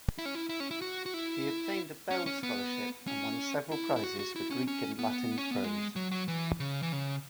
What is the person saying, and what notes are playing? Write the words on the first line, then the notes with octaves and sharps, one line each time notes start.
He obtained a Bell scholarship and won several prizes for Greek and Latin prose.
E4
C#4
E4
E4
C#4
E4
F#4
F#4
E4
C#4
C#4
B3
C#4
E4
E4
F#4
F#4
E4
C#4
C#4
B3
C#4
B3
G#3
F#3
F#3
E3
C#3
E3
C#3